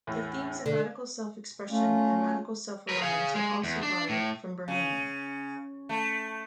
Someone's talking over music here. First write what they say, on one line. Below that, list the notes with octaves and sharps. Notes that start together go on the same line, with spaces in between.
The themes of radical self-expression and radical self-reliance are also borrowed from Burning Man.
E2 A2
D3
A3 C#4 F4
A#4 B4
G#4 F5
G#3
E2
D4
A2
C#3
A3